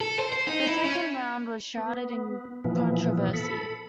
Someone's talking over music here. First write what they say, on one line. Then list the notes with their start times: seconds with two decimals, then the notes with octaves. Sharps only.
The second round was shrouded in controversy.
0.01 A4
0.19 C5
0.33 C5
0.47 D#4
0.68 E4
0.85 C#4
1.78 B3
2.64 A#2 E3 F3 B3
3.33 A4 B5